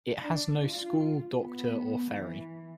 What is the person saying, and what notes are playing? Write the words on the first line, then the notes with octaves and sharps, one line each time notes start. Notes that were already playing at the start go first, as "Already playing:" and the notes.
It has no school, doctor, or ferry.
D4
F4
B3
E3